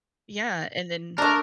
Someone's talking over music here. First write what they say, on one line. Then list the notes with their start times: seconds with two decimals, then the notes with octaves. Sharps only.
yeah, and then
1.18 A3 D4 A#4